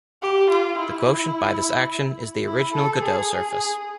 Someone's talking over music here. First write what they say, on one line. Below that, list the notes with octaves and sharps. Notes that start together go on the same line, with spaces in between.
The quotient by this action is the original Godeaux surface.
G4
F4
E4
E4
A4
G#4